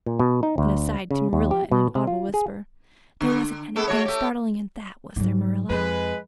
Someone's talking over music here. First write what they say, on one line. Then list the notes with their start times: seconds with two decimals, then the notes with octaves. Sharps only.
Then aside to Marilla in an audible whisper, "There wasn't anything startling in that, was there, Marilla?"
0.06 A#2
0.19 B2
0.43 D#4
0.58 D2
1.11 C#3
1.33 D#2
1.51 G4
1.71 B2
1.95 C3
2.07 F4
2.34 G#4
3.21 D3
3.76 G#3 B3 A4
3.88 G#3 F#4 C#5
4.05 A3 G4
5.16 G#2 F#3
5.70 F2 G#3 B4